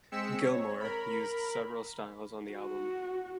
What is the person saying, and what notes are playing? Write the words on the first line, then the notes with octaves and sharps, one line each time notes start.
Gilmour used several styles on the album.
G#3 C4 E6 B6 C#7 E7
C#5
A#4 B5
F#4